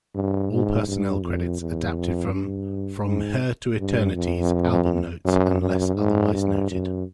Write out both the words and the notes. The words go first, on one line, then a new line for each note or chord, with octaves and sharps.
All personnel credits adapted from "From Her to Eternity"s album notes, unless otherwise noted.
G2
G#2
G2
F2
E2
F2
G2
G#2
G2
F2
F#2
F#2
G#2
G2
F#2